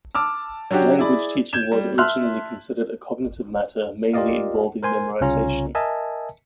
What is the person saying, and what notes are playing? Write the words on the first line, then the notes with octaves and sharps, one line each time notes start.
Language teaching was originally considered a cognitive matter, mainly involving memorization.
A5 D6 E6 F6
F#3 C#4 D4 F#4 G4
E4 G#4 D5 B5
G6 G#6 E7
G3
E5 A5 C6 F6 F#6
F4 G4 A#4 D5 D#5 F5
A#4 C5 G#5 C6
C2 C#3 C#4 F4 A#5
A#4 D#5 E5 G#5 A5